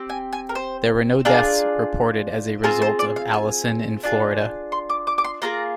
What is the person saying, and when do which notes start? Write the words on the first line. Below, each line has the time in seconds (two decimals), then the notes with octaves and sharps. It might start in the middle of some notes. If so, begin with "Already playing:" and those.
There were no deaths reported as a result of Allison in Florida.
Already playing: C4 G4
0.10 G#5
0.33 G#5
0.49 A#4
0.55 C5
1.25 D4 F4 G#4 A#4
2.64 C4 F4 G#4 A#4
2.82 C5
2.99 D5
3.16 F5
3.34 G#5
4.03 D4 F4 G#4
4.72 C6
4.90 D6
5.07 D6
5.18 D6
5.24 C6
5.42 A#3 F4 G#4 A#5